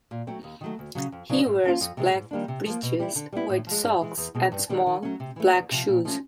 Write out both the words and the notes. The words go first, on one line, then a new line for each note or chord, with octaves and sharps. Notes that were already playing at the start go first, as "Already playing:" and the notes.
He wears black breeches, white socks and small, black shoes.
A#2
F#3 A3 C4
D#2
D#3 F#3 A3
D2
C#3 F#3
F2
C#3 F#3 B3 D4
G#2
F3 A#3 C#4 F4
F2
C3 E3 G#3
G#2
D#3 G3 A#3 D4
C3
F3 A#3
B2
G3 C4 E4
D3
G3 B3 E4
A2
F3 G#3
G2
E3 G#3
E2
B2 G#3 C4
G2
D#3 G3 C4
D#3
F#3 A3 C#4
C3
E3 A3
E2
C3 F3
A#2
F3 A3 C#4